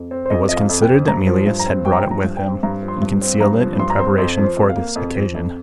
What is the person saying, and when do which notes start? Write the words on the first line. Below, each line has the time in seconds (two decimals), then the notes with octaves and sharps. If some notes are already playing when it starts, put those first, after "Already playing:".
It was considered that Mealyus had brought it with him, and concealed it in preparation for this occasion.
Already playing: F2
0.11 C4
0.26 C5
0.30 F2 D#5
0.49 F3 D#5
0.56 F5
0.69 F2
0.82 G5
0.88 C4
1.08 G2 A#5
1.27 F3
1.47 G2
1.59 A#5
1.66 C4
1.85 G2 G5
1.93 A#5
2.00 G5
2.05 F3
2.11 A#5
2.24 G2
2.37 G5
2.44 C4
2.63 G2 A#5
2.83 F3
2.88 C6
3.02 G2
3.22 C4
3.40 G2 A#5
3.60 F3
3.79 G2 C6
3.90 A#5
3.98 C4 C6
4.18 F2 C5
4.37 F3
4.44 C5
4.57 F2
4.69 F5
4.77 A#3
4.96 F2
5.15 F3
5.34 F2